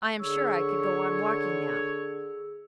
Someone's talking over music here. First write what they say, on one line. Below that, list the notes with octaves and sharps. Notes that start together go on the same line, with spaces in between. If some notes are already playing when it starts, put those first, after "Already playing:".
I am sure I could go on walking now.
D3 G#4 C#5 E6